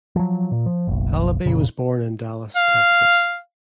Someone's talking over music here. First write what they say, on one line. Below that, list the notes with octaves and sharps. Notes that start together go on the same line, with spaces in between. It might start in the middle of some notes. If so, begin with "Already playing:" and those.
Halaby was born in Dallas, Texas.
F3 F#3
A#2
F3
F#1 B1
F1 A#2 C#3
F5